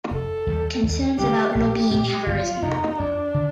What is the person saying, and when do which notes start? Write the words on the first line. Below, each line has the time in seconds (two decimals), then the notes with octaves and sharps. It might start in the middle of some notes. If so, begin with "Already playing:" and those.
Concerns about lobbying have arisen.
0.11 F1 A4
0.47 D#2 D#3 G3
0.83 D#2
1.19 D3 G3 D4 G4
1.55 A#1 G4
1.91 A#2 A3 C4
2.26 G1 F4
2.62 F2 C3 D#4
2.99 F2 D4
3.34 D3